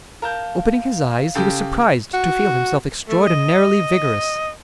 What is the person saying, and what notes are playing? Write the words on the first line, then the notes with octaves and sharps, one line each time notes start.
Opening his eyes, he was surprised to feel himself extraordinarily vigorous.
A#4 F5 A5 G6
F5
C#3 G4 A4
F#4
A3
D#5